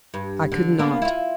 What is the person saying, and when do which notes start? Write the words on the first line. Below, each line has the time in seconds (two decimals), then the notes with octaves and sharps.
I could not.
0.14 G2
0.52 D3
0.79 A#3 B3 D4
1.02 E4 F4